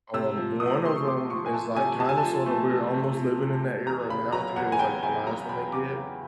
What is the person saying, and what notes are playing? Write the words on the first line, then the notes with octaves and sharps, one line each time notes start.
um, one of 'em is, like, kinda sort of we're almost living in that era now; I think it was, like, the last one they did,
C3 E6
F3
A3 D#6
C3 C6
C#6
C3 D6
F3 C#6
G#5
A3 A5
C3 G#5
C3 A5
G#5
A5
F3
A3
C3
C3
F3
A3
C3
E2 A#5
C#3 B5
F#3 A#5
E2 F#5
G#5
E2 G5
C#3 G#5
F#3 A#5
E2 B5
E2 D6
C#3